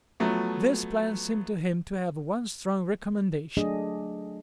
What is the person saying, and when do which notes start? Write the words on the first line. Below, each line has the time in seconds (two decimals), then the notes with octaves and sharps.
This plan seemed to him to have one strong recommendation.
0.20 F3 F#3 A3 B3
3.57 F#3 A3 D4 G#4 D#5